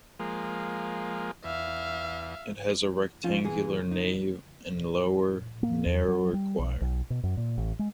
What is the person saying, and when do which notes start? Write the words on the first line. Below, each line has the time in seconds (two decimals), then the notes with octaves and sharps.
It has a rectangular nave and lower, narrower choir.
0.19 F3 G#3 A#3
1.44 E2 E5 F5
3.24 F3 C#4 D#4 F4
3.44 A#2 E3 G#4
3.91 D#4
5.63 A#3
5.86 E2
6.08 F#3
6.33 G3
6.59 B1
6.81 B1
7.10 B2
7.23 F#2
7.37 A#2
7.58 A1
7.79 G#3